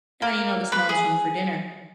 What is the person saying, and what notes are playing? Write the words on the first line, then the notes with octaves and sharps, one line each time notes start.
and then, you know, the smallest one for dinner,
A#3
B4
G#4